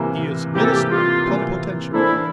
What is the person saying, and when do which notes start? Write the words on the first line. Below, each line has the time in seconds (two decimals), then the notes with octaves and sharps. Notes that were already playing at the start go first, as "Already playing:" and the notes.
He is minister plenipotentiary.
Already playing: C3 E3 A#3
0.55 C3 E3 A#3 G4
0.63 A4
0.71 G4
0.90 F4
1.24 C3 E3 A#3
1.93 E3 A#3 D4 E4 A4 C5